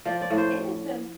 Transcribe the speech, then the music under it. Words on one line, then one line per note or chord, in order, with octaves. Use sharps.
It has been
F3 D5
D5
A2
C5